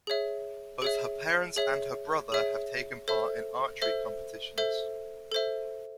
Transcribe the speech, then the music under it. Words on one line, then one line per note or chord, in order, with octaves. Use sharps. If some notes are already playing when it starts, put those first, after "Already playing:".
Both her parents and her brother have taken part in archery competitions.
G#4 C#5 E5
G#4 C#5 E5
G#4 C#5 E5
G#4 C#5 E5
A4 C5 E5
A4 C5 E5
A4 C5 E5
A4 C5 E5